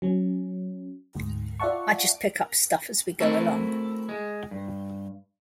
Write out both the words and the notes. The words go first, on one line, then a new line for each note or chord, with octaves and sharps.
I just pick up stuff as we go along.
F#3 C#4
D2 G#2
F4 D5 E5 F#5 A5 C#6
A3 C4 E4 F#4 A4 A#4
G#3
G2